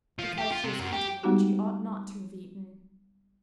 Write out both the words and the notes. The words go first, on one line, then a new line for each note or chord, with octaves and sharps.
'Because she has eaten what she ought not to have eaten.
F3
G4
F4
C3
F#2
G4
G3 G#3 B3 D#4 F#4 G4